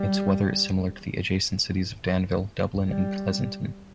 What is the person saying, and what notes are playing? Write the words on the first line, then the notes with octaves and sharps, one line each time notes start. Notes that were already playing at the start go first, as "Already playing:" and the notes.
Its weather is similar to the adjacent cities of Danville, Dublin and Pleasanton.
Already playing: G3
G3